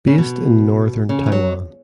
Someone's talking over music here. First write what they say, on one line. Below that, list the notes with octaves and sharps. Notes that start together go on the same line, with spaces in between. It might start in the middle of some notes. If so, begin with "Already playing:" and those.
Based in Northern Taiwan.
C#3
B2
C#3
E3
F#3